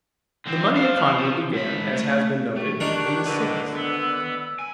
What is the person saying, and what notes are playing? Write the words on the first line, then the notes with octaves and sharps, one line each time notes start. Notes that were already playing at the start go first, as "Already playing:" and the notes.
The money economy began, as has been noted, in the cities.
D3 C4
C5 F5
F3
G#2 B5
A3
A3 G4
D#3 D4 A#4 G5 C#6 F#6
D3 B4 D#5
B3 E6
G#5